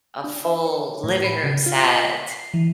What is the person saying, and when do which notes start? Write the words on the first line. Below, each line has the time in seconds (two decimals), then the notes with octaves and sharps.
a full living room set,
0.24 D4
0.45 E5
0.66 C#5
1.04 A2
1.24 B5
1.44 C#3
1.66 F4
1.87 D#5
2.07 B6
2.31 C7
2.54 E3